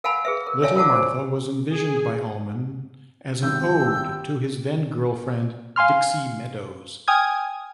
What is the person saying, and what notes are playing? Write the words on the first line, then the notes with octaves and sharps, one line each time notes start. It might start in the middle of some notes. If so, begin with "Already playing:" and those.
Little Martha was envisioned by Allman as an ode to his then-girlfriend Dixie Meadows.
A#4 F5 F#5 G#5 A5 B5
G#4 B4 E5
A#4
C#5 D5 E5 F5 G#5 A5
F4 A#4 F#5 A5 D6
C5 G#5
G#4
G#1 G4 E6 G6
F5 G#5 C6 F6
G5 G#5 D#6 F6 G#6